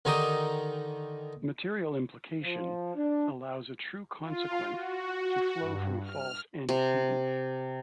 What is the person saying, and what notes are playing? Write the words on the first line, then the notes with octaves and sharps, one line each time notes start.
Material implication allows a true consequent to follow from a false antecedent.
D3 D#3 D#4 G4 A#5 D#6
F3
D4
F4
F#4
G2
F6
C3